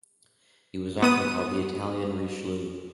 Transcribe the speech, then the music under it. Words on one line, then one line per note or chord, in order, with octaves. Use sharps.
He was often called the "Italian Richelieu".
B3 D#6 D#7